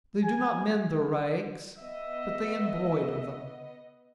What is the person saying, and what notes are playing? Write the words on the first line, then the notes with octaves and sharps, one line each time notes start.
They do not mend their rags, but they embroider them.
G#5
B3 D#5 E5